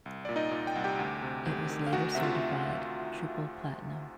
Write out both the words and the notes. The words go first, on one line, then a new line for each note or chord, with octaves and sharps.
It was later certified triple platinum.
C2
A#2 D5
D#4 D#5
A#2
G5
C2 F#5
G4 G5
D2
C3
D2
D#3
F5
D2 F#4 F#5
C3 E5
F4 F5